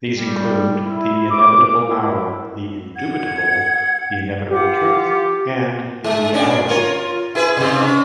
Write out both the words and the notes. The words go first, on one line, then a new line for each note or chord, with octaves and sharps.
These include "The Inevitable Hour", "The Indubitable", "The Inevitable Truth", and "The Reality".
G3
E4
D6
E4
F#5 G#6
F4 G4 F#5 D6
G#3
C#4 D4
F4 A#4 C#5
E4 G#4 B4
G#2 C3
C#4